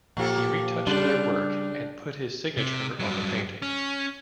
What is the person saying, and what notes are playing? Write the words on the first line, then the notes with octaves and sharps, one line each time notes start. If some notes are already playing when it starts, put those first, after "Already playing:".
He retouched their work and put his signature on the paintings.
A#2 F3 A#3 G4 A4
C#3 G3 D4
C3
G2 F#3
C#4